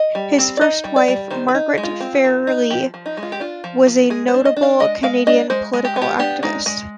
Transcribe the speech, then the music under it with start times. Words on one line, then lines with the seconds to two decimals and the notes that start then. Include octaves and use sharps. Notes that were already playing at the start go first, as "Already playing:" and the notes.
His first wife, Margaret Fairley, was a notable Canadian political activist.
Already playing: D#5
0.15 G3
0.38 C4
0.57 D5
0.61 D#4 D#5
0.84 G3
0.96 D5
1.08 G3
1.31 D#3 C5
1.48 B4
1.55 D#4
1.78 G#3
1.83 F4
2.00 C4
2.24 D#3
2.47 D#4
2.70 F3 G4
2.94 F3
3.06 D#4
3.17 G#3
3.23 F4
3.32 G4
3.40 D4 F4
3.64 F3
3.87 F3
4.10 G#3 G#4
4.28 C5
4.34 D4
4.45 D#5
4.57 D4
4.63 F5
4.80 G#3 D#5
5.03 G#3 F5
5.27 D4 D#5
5.50 G#3 C5
5.73 G#3
5.85 G4
5.96 B3
6.02 G4
6.19 D4 G4
6.43 G#3 D#4
6.66 G#3